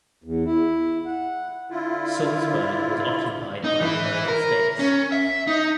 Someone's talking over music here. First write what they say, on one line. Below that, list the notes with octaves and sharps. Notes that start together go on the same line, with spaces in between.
Salzburg was occupied by the United States.
E2
E4
F#5
D3 E4 F4
D#4
E3 E4
A#4
C#4
E5
D#4